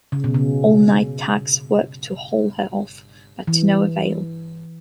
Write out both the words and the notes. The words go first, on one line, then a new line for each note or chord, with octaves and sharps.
All night tugs worked to haul her off, but to no avail.
C#3
B2
C#3
E3